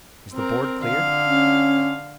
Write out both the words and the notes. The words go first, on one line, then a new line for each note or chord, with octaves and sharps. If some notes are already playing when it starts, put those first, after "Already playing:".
"Is the board cleared?"
C4 A#4
D3 F5
C#4